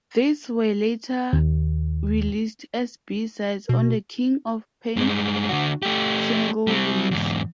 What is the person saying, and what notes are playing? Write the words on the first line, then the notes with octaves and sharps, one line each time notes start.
These were later released as B-sides on the "King of Pain" single release.
D#2
B2
G2 G#3
D3 F#4
A3 G4
G3 C4
E2 G#2